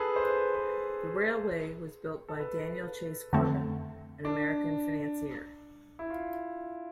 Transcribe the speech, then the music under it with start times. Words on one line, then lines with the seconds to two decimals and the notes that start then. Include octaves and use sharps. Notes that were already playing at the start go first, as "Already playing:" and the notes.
The railway was built by Daniel Chase Corbin, an American financier.
Already playing: G#4 A4 B4
0.16 C5
0.24 B4
0.55 B4
2.29 A4
2.40 B4
3.33 F2 D3 A3 C4
4.25 D4
5.99 E4
6.10 F4